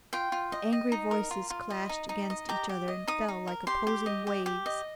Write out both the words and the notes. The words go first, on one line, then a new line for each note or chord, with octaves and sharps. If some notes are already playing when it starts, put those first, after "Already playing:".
The angry voices clashed against each other and fell like opposing waves.
F4 G5
F4
D#5
D#5
D#4
A#4
F4
F4
D#5
D#4
D#4
D#5
G4 A#5
G4
D#5
D#4 D#6
D#4
A#4
G4 C6
G4
D#5
G4
G4
D#5